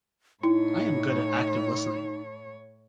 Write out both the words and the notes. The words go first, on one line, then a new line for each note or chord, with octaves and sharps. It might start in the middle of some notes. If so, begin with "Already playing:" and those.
I am good at active listening.
A2 D#4 E4 C#5